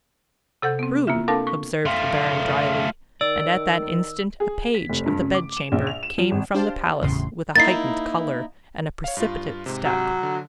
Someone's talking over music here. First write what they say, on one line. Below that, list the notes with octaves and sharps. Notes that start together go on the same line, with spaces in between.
"True!" observed the Baron, dryly, and at that instant a page of the bedchamber came from the palace with a heightened color, and a precipitate step.
C3 A4 F#5 G6
B3 C4
A#3 E4 F4 E5
C4 D4 A4 A#4 F5 A5
C#6
A3 F4
D#3 D5 E6
G#4
B6
F1
G2
C#3
D6
E7
A#1
F7
E7
F3
G#1
D4 G4 C5 F5 A5
G1 E2 A2 C#3 C6
A#3 D#4 E4 A6 C7
C#5 F5
G2 F4
G#2 C3
F#3
D3